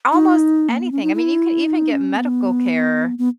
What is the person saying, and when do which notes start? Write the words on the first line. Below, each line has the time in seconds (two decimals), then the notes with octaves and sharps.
almost anything, I mean, you can even get medical care,
0.13 D#4
0.69 A#3
0.81 B3
0.92 C#4
1.03 D#4
1.15 E4
1.66 D#4
1.91 C#4
2.17 B3
3.18 B3